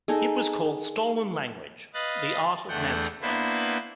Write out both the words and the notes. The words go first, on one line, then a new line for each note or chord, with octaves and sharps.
It was called "Stolen Language - the art of Nancyboy".
D#4 G#4 A4
B4 D#5 F5 F#6 A6
E2 A3 D4 F#5 G5
A#3 B3 D4 E4 B4 C5